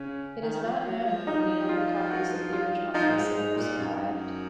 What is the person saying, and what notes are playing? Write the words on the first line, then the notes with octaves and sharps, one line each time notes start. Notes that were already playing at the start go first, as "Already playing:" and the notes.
It is not known how many other copies of the original pressing have survived.
Already playing: C#3 C#4
D#3
D#3
F3
F#3
F#3
F3
D#4
F4
F#4
F4
F3 D#4
A#2
G#2
G#2
A#2
F#2
F#2